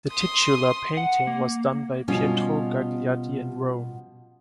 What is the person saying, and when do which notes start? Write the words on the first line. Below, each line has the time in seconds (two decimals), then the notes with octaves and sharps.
The titular painting was done by Pietro Gagliardi in Rome.
0.11 C6 D#6
0.97 F#5
1.27 A#3
2.08 B2 F3 G3 C#4 F4